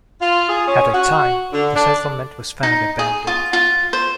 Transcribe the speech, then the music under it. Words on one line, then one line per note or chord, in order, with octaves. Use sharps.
At that time, the settlement was found abandoned.
F4
G#4
C#4
F#4
D3
D4
D#4
G#4
F4
F4
C5